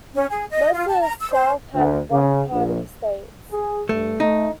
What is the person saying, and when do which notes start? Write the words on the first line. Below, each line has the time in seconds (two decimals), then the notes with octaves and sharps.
Most of the South had one-party states.
0.14 C#4
0.30 G#4
0.50 D#5
0.72 F4
0.88 A5
1.02 A#5
1.20 E6
1.32 C5
1.74 D2
2.12 C#3
2.51 A#1
3.51 G#4
3.89 G2 A3
4.20 A3 D#4